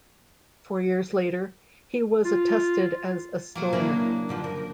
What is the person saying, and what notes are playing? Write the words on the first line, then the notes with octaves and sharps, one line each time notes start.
Four years later, he was attested as a stolnik.
F4
B2 F#3 A#3
C#3 A#3 C#4 D4 E4
G2 D3 F3
A#4